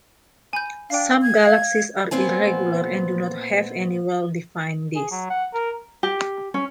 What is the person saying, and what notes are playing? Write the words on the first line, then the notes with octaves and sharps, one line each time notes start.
Some galaxies are irregular and do not have any well-defined disk.
G#5 B5 G6
D4 F5 G5
G#6
F5
A#2 B3 C4 C5 G#5
G#4
F#3
F#5
A#4
G4
C#4